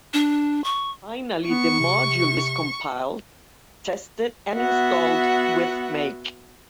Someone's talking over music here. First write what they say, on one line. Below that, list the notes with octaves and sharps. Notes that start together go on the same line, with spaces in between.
Finally, the module is compiled, tested, and installed with make.
D4
C#6
B3 C#6
C3
B3 F#4 E5 F#5